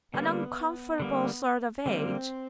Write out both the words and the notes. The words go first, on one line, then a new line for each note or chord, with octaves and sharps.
'An uncomfortable sort of age.
D3 G3 A#3 B3
D3 G3 A#3
D3 G3 A#3 C4